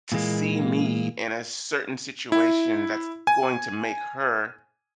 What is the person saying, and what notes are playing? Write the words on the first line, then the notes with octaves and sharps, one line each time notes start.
to see me in a certain situation that's going to make her
A#2 E3 G#3 A#3
E4
G#5